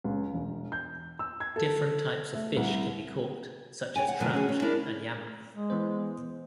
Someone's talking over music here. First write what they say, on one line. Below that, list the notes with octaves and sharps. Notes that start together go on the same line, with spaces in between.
Different types of fish can be caught such as trout and yamame.
C#2
E1
G6
E6
G#6
A4
A3
C2
C#5 D5 G5 G#5
F#5
G2 B2 F3 F#3 A3
C#4 F#4 G#4
C#4
D4 E4 G#4 A#4
G#3
E3 B3 C5